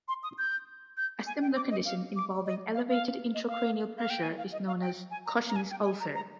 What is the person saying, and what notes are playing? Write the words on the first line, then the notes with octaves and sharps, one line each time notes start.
A similar condition involving elevated intracranial pressure is known as Cushing's ulcer.
C6
D#6
G6
G6
G#5
G5
D6
D#5
F5
D6
D#5
F5
F5
D#5
F5
F5
G5
G#5
F5
D#5
F5
G5
G#5
A#5
A#5
G#5
G5
G#5
A#5
A#5